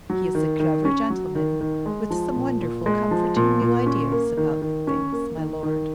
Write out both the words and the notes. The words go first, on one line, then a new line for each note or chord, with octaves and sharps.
He is a clever gentleman with some wonderful comforting new ideas about things, my lord.
F#3
D#3
D#3
C#4
F#3
D#3
D#3
G#3
F3
A#2
A#2
G#3
F3
A#2
A#2
C#4
A#3
D#3
D#3
C#4
A#3
D#3
D#3